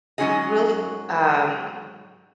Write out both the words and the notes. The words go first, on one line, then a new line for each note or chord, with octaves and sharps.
really l um,
G#2 F#3 C#4 F#4 G#4 D#5